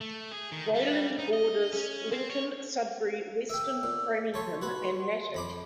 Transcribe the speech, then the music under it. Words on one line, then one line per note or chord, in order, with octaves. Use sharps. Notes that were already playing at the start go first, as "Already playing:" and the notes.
Wayland borders Lincoln, Sudbury, Weston, Framingham, and Natick.
A3
G#4
D#3
G3
D#4
D#5
C#4
C4
C#5
E5 G5 E6
A#2
A4 C#5 A5 C6
F#4 B4 B5
F2 B5 D6